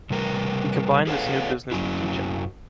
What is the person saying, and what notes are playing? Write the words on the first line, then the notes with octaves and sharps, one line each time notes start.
He combined this new business with teaching.
C3 G3 A#4 B4
G#4 A4 B4 C#5 F5 F#5
F#2 D#3 F#3 C#4 E4